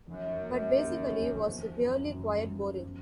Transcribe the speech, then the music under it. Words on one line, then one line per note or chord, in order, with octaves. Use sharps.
But basically was really quite boring.
F1 F#2
A#3
D#2
D#2
F3
F#2
F#2
F#2
F3